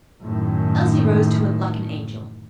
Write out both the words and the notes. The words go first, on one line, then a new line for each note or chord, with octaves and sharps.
Elsie rose to it like an angel.
F#2 A2 D#3